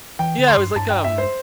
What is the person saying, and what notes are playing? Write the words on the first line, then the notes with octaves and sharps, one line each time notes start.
Yeah, it was like, um,
E3 G5
D3
C6
G2
G2 A5
G5
E5
C5